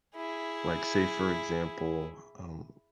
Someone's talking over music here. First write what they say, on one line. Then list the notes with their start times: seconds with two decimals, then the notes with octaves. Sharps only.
like, say, for example, um
0.16 E4 G#4